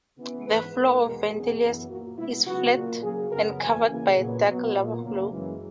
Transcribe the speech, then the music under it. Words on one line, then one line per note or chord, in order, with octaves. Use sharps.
The floor of Vendelinus is flat and covered by a dark lava flow.
C#3 E3 B3
G#2 E3 B3 B4
G#2 D#3 A#3
E2 B2 G#3 B3 A#4
E2 B2 F#3 B3 G#4
F#2 E3 B3
A#2 A#3 F#4
B2 G#3 B3 E4
C#3 F#3 B3 F#4
A#2 A#3
C#3 F#3 A#3 G#4
F#2 C#3 F#3 B3 A#4
E2 B2 A#3 G#5
C#3 E3 A#3
A#2 F#3 B3
B2 F#3 B3
A#2 A#3
F#2 C#3 F#3 A#3
F#2 E3 G#3